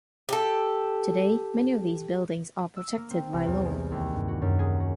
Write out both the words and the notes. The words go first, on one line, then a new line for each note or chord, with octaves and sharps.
Today, many of these buildings are protected by law.
G4 A4
E6
A#3
C4
C2
E2
G#3
D#2
G2
F#4
F#2
G#4
F#4